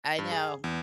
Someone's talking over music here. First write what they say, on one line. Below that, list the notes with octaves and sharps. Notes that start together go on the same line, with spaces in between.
I know.
G2
G#4
E2